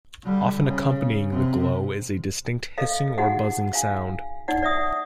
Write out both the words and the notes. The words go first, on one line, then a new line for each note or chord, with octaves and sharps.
Often accompanying the glow is a distinct hissing or buzzing sound.
D3 G3
C#3
C3
A4 D#5 F5
D#4 F#4 G#4 F#5
F5 G#5
D#4 D5 F#5
D5 E5 D#6